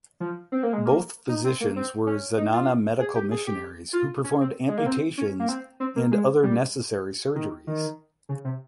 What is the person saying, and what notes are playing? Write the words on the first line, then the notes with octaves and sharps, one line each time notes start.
Both physicians were Zenana medical missionaries who performed amputations and other necessary surgeries.
F3
C4
A#3
G#3
A#3
D#4
C4
A#3
C4
C#4
D#4
F4
G#4
G4
G#4
G4
F4
C#4
C4
G#3
A#3
C4
C#4
A#3
C4
C4
A#3
G#3
G3
D#3
D#3
C#3
C3